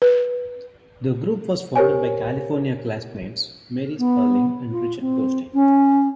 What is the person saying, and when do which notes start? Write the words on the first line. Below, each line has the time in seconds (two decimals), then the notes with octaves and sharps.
The group was founded by California classmates Mary Sperling and Richard Gosting.
0.02 B4
1.76 G4 A#4 C5 C#5 G#5
3.98 B3
4.71 F4
5.00 C4
5.53 C#4